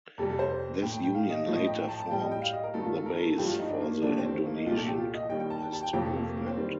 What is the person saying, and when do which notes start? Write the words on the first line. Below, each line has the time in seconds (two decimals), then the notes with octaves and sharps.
This union later formed the base for the Indonesian communist movement.
0.18 F2 C3 G3 A4
0.30 A4
0.39 C5
0.82 A2 A3 G5
0.93 G5
1.04 G5
1.15 F5
1.30 D#5
1.46 A2 F3 A3
1.56 D#5
1.67 G5
1.78 G5
1.89 A5
2.00 A5
2.10 A2 G3 G5
2.21 D#5
2.31 G5
2.42 F5
2.53 D#5
2.63 A#4
2.74 G2 D#3 A3 A4
2.85 F4
2.96 A4
3.06 A#4
3.22 A4
3.38 G2 F3 A3 G4
3.48 F4
3.59 D#4
3.70 D4
3.80 A#3
3.91 A#3
4.02 D#2 D3 F3 A3 D4
4.18 C4
4.34 A3
4.45 A#3
4.55 D#4
4.66 C2 A#2 A3 F4
4.77 A4
4.88 G4
4.98 F4
5.14 D#5
5.29 D#2 D#3 G3 G5
5.40 G5
5.50 A5
5.62 G5
5.73 A5
5.83 G5
5.93 F2 C3 F3 A3 G5
6.05 A4
6.15 A#3
6.26 A3
6.37 A#3
6.47 C4
6.57 D#3 G3